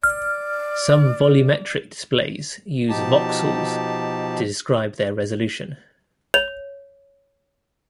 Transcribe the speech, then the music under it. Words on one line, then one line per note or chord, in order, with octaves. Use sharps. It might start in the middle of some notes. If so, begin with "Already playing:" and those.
Some volumetric displays use voxels to describe their resolution.
D5 F6
B2 F3 D#4 G4 A5
C#5 F7